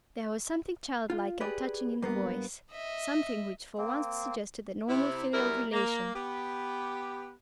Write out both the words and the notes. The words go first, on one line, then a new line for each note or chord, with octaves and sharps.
There was something childlike and touching in the voice, something which for once suggested the normal filial relation.
F4
G4 G#4 B4 D5
G2 A#3 B3
D#5 E5
A#3 C4
C3 E4
F#2 G3 E4 A#4
A#3
B3 G4